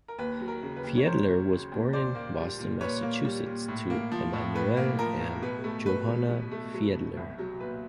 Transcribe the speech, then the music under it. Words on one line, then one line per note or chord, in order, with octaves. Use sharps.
Fiedler was born in Boston, Massachusetts to Emanuel and Johanna Fiedler.
A#4
D#2 B4
F#3
A#4
C#3
B4
D#2
C#5
D#2 A#4 C5
F#3
C#3
D#2
A#2 C5 D5
A#3
G3
A#2
A#2 B4 C#5
A#3
G3
A#2
A2
A#3
F3
A2
A2 B4
A#3
F3 A#4
A2
B2 B4
A3
F#3 B4
B2
B2
A3
F#3
B2
C2
F#3
A#2 B4